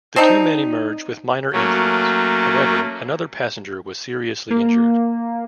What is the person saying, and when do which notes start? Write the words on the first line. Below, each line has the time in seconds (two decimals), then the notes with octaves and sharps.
The two men emerged with minor injuries; however, another passenger was seriously injured.
0.16 C4 D4 D#4
1.53 F#3 A3 A#3 C#4
4.51 A#3